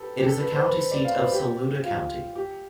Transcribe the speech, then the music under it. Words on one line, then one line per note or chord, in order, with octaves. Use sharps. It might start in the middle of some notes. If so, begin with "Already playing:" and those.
It is the county seat of Saluda County.
Already playing: G4 A4 B4
G4
A4
B4
C5
B4
C5
D5
F5
C5
B4
G4
F4
G4